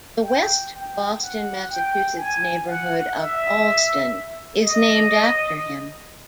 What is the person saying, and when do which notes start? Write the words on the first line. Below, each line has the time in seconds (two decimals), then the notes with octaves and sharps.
The west Boston, Massachusetts neighborhood of Allston is named after him.
0.23 G5
0.72 G5
1.21 F#5
1.70 G5
2.18 G#5
2.67 F#5
3.16 E5
4.63 D#5